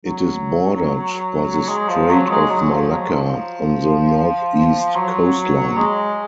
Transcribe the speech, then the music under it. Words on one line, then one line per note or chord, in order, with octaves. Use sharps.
It is bordered by the Strait of Malacca on the northeast coastline.
F#3
G#3
F3
F#3
G#3
F#3
F3
F#3
F3
F#3
G#3